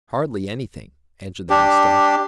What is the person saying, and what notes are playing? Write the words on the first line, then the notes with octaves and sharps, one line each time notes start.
"Hardly anything," answered the House Dog.
D4 G4